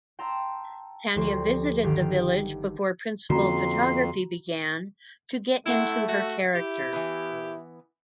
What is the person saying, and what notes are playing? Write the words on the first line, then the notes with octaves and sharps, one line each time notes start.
Tania visited the village before principal photography began to get into her character.
G5 A5 A#5 C6 E6
D2 F3 G4 C5 C6
G1 D#3 G4 F5 G5
F2 D3 A#3 C#4 F#4 A#5 C6
A3 C4 E4 F#5
F#4 E5
E4 G4
E3 B3